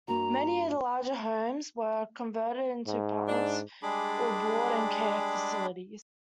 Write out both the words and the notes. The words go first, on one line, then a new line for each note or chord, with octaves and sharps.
Many of the larger homes were converted into apartments or board and care facilities.
G2 A#3 F#4 A#5
G#2
D4
G3 G#3 D4 G#4 B5 D6